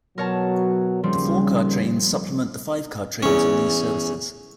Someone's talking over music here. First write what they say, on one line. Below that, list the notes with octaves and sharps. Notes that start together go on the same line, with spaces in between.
The four-car trains supplement the five-car trains on these services.
B2 F#3 A#4 C#5 A5
D#2 C#3 F3 G3 C4
E2 C#4